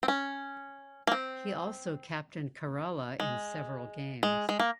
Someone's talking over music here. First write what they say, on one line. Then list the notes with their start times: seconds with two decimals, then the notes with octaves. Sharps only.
He also captained Kerala in several games.
0.03 C4
0.08 C#4
1.07 A#3
1.12 C4
3.20 G#3
4.23 G#3
4.49 G#3
4.59 A#3